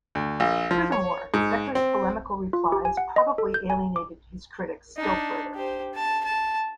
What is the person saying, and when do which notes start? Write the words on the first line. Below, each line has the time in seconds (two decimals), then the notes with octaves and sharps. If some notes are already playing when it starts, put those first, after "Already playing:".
Furthermore Becker's polemical replies probably alienated his critics still further.
0.15 D2
0.40 A#1
0.71 F3
0.92 C#5
1.34 G#2
1.75 C4
2.53 F4
2.72 G4
2.85 G#5
2.97 F#5
3.16 D#5
3.38 A4
3.54 G6
3.70 G#5
3.96 D6
4.97 D4 D#4
5.55 G4 C5
5.94 A5
6.25 A5